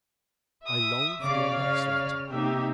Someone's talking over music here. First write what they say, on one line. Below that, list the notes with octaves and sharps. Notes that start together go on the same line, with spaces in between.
I long for your next letter.
E5 D#6
C#3 C#5 D5 F5 D6
C#3 F6
C3 A#3 D#4 G4 E5